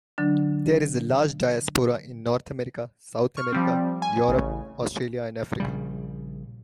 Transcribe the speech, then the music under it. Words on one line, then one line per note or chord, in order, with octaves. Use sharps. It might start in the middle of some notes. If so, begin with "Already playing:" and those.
There is a large diaspora in North America, South America, Europe, Australia and Africa.
D3 F#3 D4
C#6 F6
F3 G3 C4
G#5
A1 C#3
A#1 C#3 G3